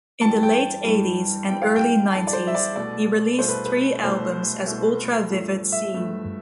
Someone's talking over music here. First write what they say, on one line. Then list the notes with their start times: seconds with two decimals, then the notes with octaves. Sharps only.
In the late eighties and early-nineties he released three albums as Ultra Vivid Scene.
0.21 G2 E3 G3 A5
0.43 G5
0.85 G2 E3 G3
1.49 G2 E3 G3 G5
1.62 F5
1.76 G5
2.12 G2 E3 G3 A5
2.27 D5
2.33 C5
2.47 E5
2.55 D5
2.76 C2 B2 A3 D5
3.39 C2 B2 A3 C5
3.48 B4
3.65 B4
4.03 C2 B2 A3 C5
4.66 C2 B2 A3
5.30 G2 F3 A3
5.72 E5
5.94 G2 F3 A3